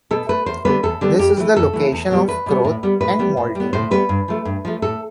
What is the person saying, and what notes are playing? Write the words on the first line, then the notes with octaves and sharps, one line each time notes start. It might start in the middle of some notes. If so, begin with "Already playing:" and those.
This is the location of growth and molting.
B2 A4
A3 B4
E2 C5
D3 G3 B3 B4
E2 A4
D3 G3 B3
F2 G4
E3 A3
F2 A4
E3 A3
E2
B2 G3 B3
E2 B4
B2 G3 B3
A2
G3 B3
A2 B4
G3 B3
A2
G3 B3
A2 C5
G3 B3 B4
G2
F3 A3
G2
F3 A3
A2 A4